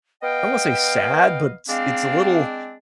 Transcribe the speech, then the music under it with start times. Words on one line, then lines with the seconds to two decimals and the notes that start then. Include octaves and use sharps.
don't wanna say sad, but s it's a little
0.22 B3 D#5 F5 G5
1.69 G#3 C4 D4 F5